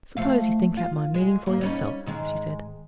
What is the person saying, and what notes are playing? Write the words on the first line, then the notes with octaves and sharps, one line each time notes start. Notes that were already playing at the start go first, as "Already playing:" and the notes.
"Suppose you think out my meaning for yourself," she said.
F3 A3 F5
F4
G#3
G#2 A#3
G3 C#4 D#4
G#2 D#3 G#3